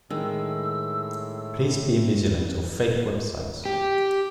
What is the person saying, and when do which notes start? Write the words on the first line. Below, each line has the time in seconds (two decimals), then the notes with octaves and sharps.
Please be vigilant of fake websites.
0.10 A2 D#3 G#3 E6
3.66 G4